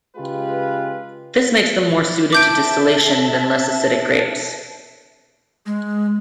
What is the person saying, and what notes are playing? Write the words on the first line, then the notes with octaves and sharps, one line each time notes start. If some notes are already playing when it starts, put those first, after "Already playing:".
This makes them more suited to distillation than less acidic grapes.
C#3 G#3 F4 G4 B4
E5 A5 D6 G6 D7
G#3